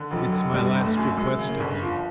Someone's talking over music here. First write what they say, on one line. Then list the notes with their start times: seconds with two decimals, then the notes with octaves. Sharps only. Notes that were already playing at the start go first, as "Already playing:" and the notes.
It's my last request of you.
Already playing: D3
0.11 F1 F3
0.21 F#3
0.32 F1
0.53 G1 G3
0.75 G1
0.86 A3
0.96 F#2
1.17 F#2 G#3
1.39 C#3
1.49 A#3
1.60 G1
1.82 F3